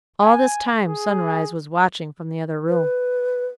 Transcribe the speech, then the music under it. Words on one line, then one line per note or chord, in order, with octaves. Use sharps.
All this time Sunrise was watching from the other room.
G#5
G#4
B4